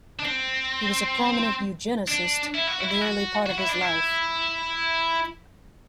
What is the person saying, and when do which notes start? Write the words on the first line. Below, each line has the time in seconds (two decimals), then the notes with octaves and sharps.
He was a prominent eugenicist in the early part of his life.
0.20 D4
0.25 C4
2.08 D4
2.55 E4
2.68 F#4
2.80 E4
2.91 E4
3.01 F#4
3.46 F#4
3.58 E4
3.69 D4
3.81 E4